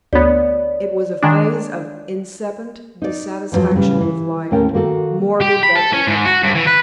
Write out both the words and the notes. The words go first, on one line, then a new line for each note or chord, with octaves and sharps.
It was a phase of incipient dissatisfaction with life, morbid, but inevitable.
D2 B3 C#5 D5
D#3 G#3 D4
D#4 D5
E2 A2 D#3 F3 F#3
A2 C#3 E3 G3
E3
D#2 A2 A3 C#4 A#4 G5
D#3 A#3 F#4 A4
G4
B5
A4
C#4
G#2
F#4
G2
E3
B4